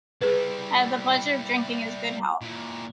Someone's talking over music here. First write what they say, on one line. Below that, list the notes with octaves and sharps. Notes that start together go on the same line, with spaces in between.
I have the pleasure of drinking his good health.
G3 E4 G#4 B4
A#2 E4